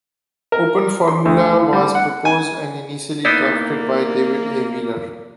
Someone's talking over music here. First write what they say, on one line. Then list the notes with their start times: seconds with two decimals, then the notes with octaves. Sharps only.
OpenFormula was proposed and initially drafted by David A. Wheeler.
0.52 A#4
1.08 C6
1.25 D2
1.53 E3
1.73 G3
1.95 F#5
2.25 G#5
3.25 A#3 B3 D#4 E4 D5